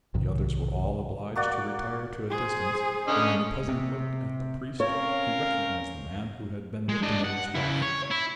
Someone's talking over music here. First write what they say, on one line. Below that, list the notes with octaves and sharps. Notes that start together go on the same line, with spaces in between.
The others were all obliged to retire to a distance, and when the peasant looked at the priest, he recognized the man who had been with the miller's wife.
B1 G#2 C3 D#3
A#3 F#4 D5 F#5
G#4 C5
D3 C#4 D#5
C3
C4 C#4 A#4 C#5 F5
G#3
D4 D#5
F#5
C#3 E4
C#5
E4